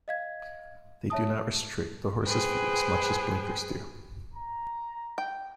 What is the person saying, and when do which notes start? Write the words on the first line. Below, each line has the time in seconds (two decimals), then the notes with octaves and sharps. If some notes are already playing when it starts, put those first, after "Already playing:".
They do not restrict the horse's view as much as blinkers do.
0.08 D#5 F5 G#6
1.10 C#5 E5 A5 D#6
2.24 G#4 B4 C5 G5
4.34 A#5
5.18 G5